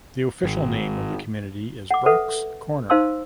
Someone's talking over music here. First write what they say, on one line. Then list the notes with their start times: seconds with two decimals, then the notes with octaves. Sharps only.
The official name of the community is Brocks Corner.
0.43 G#1
1.91 F#5 D6
2.06 A4 B4 E5 F#5
2.90 D#4 C5 F5 A5 C6 E6